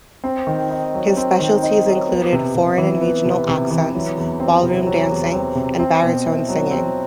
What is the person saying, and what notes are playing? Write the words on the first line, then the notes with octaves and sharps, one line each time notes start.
His specialties included foreign and regional accents, ballroom dancing and baritone singing.
C4
D#3
D#4
F#3
C4
D#3
D#4
F#3
B3
C3
C3
E3
B3
C3
C3
E3
F#3
E2
C4
C3
F#3
E2
C4
C3
C4
B2
E4
F#3
C4